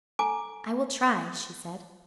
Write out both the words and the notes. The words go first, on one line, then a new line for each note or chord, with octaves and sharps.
"I will try," she said.
A4 G#5 A#5 D6